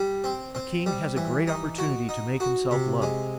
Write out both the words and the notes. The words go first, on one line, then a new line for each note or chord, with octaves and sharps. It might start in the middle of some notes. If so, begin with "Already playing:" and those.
A king has a great opportunity to make himself loved.
Already playing: G3
C4
C4
G3
E3
D#4
F#4
D#4
F#4
C3
G#3